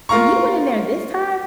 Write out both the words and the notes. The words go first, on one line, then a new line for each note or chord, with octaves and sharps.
When he went in there this time,
F4 A#4 F5 A#5 C#6